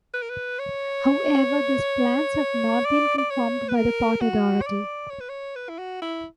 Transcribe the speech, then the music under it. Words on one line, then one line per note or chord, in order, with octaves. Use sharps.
However, these plans have not been confirmed by the Port Authority.
B4
A#4
B4
C#5
D5
D5
C#5
B4
A#4
F#4
C#5
D5
C#5
B4
C#5
B4
E4
F#4
E4